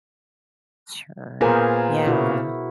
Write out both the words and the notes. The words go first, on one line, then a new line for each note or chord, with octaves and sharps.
Sure, yeah.
A#2 B3 G#4 A#4 C5 G#5
B2 E4 F#4